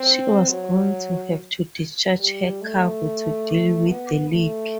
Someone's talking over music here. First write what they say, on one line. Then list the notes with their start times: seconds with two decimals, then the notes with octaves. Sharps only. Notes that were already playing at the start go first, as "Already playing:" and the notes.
She was going to have to discharge her cargo to deal with the leak.
Already playing: C4
0.49 F#3
2.19 G3
2.61 A3
3.88 B3
4.31 A3